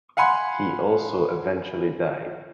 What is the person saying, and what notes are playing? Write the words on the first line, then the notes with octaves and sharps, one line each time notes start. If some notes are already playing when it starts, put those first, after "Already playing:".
He also eventually died.
F5 F#5 G#5 B5 C6